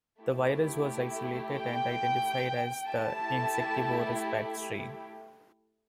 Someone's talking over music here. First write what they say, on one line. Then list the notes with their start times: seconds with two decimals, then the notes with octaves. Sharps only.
The virus was isolated and identified as the insectivorous bat strain.
0.21 A3 E4 G4
1.55 G5
2.88 A3 E4 G4 A5